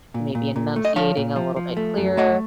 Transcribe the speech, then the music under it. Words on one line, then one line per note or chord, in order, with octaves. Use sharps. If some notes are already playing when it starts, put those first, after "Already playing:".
maybe enunciating a little bit clearer,
A#2
A#2
A#2
A3
D#5
F3 C#5 F5
A#2
F3
F3
A3
F#2
A3 D#5 F#5